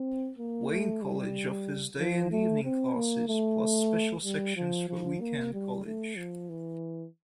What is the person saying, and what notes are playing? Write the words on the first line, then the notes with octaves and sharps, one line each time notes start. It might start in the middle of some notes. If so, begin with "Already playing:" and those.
Wayne College offers day and evening classes, plus special sections for Weekend College.
Already playing: C4
A#3
A3
G3
F3
A3
C4
A#3
A3
G3
F3
F3
A#3
G3
A3
F3
E3